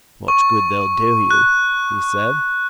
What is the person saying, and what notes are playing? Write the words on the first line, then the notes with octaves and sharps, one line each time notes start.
"Much good they'll do you!" he said.
C#6
F#6